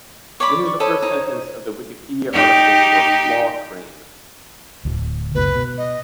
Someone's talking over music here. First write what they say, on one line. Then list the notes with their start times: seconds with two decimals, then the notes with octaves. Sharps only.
This is the first sentence of the Wikipedia article for “claw crane”.
0.40 C#5 D5 B5 D6
0.65 C#6
0.80 A4 C5 C#5 D#5 B5
1.02 D#4 C5
2.33 D#4 G4
4.85 D1 D2
5.35 F#1 C#2 B2 B4
5.55 B2
5.78 D#5